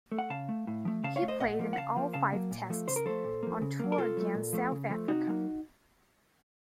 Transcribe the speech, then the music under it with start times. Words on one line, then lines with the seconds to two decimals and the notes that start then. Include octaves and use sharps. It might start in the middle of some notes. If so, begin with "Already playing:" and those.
He played in all five Tests on tour against South Africa.
0.12 A3
0.18 F#5
0.30 C#3 F5 A5
0.49 A3
0.67 A2
0.85 F3 A3
1.04 C#3 F5 A5
1.16 C#5 F5
1.22 A3
1.28 C5 D#5
1.40 A#2 D#5 F#5
1.59 F3 A#3
1.73 F#5
1.77 C#3 F5 A5
1.96 F3 A#3
2.13 C#3 F5 A5
2.32 F#3 A#3
2.51 A#2
2.70 F3 A3
2.88 C#3 C5
2.96 A#4
3.05 F3 A3 A4 C5
3.24 A#2
3.43 F3 A#3
3.62 C#3
3.80 F#3 A#3
3.92 A#4
3.98 C3 F4 A4
4.17 F#3 A3
4.35 A#2
4.53 F3 A3
4.72 C#3
4.89 F3 A3
5.08 C3 D#4 F#4
5.27 F#3 A#3